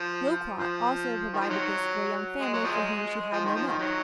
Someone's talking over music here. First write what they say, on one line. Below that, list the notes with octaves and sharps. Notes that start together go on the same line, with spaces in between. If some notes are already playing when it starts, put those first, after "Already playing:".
'Loquat' also provided this for a young family for whom she had no milk.
Already playing: F3
F3
D#3
F3
D#3 F#3
G#3
F#3
F3 G#3
F3
D#3
F3
D#3
D#3 F#3